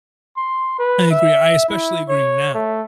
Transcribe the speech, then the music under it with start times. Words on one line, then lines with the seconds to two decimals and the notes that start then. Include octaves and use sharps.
I agree. I especially agree now.
0.37 C6
0.79 B4
1.11 E5
1.69 E4
2.09 C#5
2.55 A3